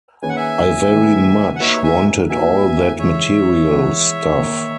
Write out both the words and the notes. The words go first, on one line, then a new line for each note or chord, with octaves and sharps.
I very much wanted all that material stuff.
D#3 A#3 C#4 G#4 B4 G#5
F#5
E5 G#5
D#3 A#3 C#4 G#4 B4
F#5
A#3 D#4 F#4 B4 C#5 E5
E5 G#5
A#3 D#4 F#4 B4 E5 G#5
E3 G#3 B3 C#5 E5
E3 G#3 B3
D#3 A#3 D#4 A#4